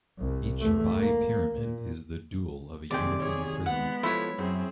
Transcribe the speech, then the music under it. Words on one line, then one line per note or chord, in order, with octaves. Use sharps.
Each bipyramid is the dual of a uniform prism.
C2
E2 A3
A#3
A#2
D#2 C3 G#4 D5 G5
G#4 C#5
G#3 B3 F#5
F3 A3 E4 C#5
F#2 C4 G#4